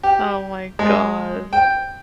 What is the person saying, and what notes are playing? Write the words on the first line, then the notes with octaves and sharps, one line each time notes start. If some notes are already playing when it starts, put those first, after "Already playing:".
Oh my gosh.
G4
G#3
G5